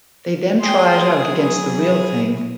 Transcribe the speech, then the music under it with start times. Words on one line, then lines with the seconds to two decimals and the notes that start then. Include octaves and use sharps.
They then try it out against the real thing.
0.62 G#4 G5 C6
1.17 F#3 E4